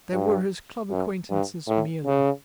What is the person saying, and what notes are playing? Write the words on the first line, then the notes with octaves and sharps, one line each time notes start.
They were his club acquaintances merely.
G2
F#2
G2
A2
C#3